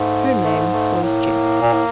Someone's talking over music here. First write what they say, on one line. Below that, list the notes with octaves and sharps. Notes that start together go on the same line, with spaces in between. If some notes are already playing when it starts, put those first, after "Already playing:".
Her name was Jess.
Already playing: G#2 A3
A3
A3
A2 A#3
A#2
A2